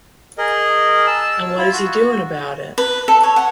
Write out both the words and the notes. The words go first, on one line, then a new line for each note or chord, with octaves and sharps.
And what is he doing about it?
G#4 A#4 D#5
A5 E6
E4 F4
F#4
B4
A4
C#5
F#5